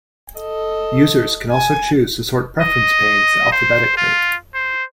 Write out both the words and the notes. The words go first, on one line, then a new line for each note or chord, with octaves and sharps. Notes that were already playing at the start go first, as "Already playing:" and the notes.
Users can also choose to sort preference panes alphabetically.
A4 D#5
G#5
D#5
C5
F4
C5